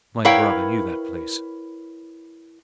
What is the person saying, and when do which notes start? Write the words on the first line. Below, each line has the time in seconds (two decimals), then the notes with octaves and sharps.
My brother knew that place.
0.25 E4 A#4 B4 C#5 F5 G5